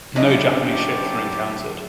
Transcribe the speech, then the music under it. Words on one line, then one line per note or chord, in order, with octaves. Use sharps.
No Japanese ships were encountered.
D3 F#3 C#4 D4 E4 G4 D#5 D#6